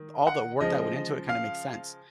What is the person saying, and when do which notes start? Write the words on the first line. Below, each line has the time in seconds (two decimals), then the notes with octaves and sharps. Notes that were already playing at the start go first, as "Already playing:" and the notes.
all the work that went into it kinda makes sense.
Already playing: D#3
0.27 F#5
0.61 C#3 F3 G#3 D#5
1.29 F5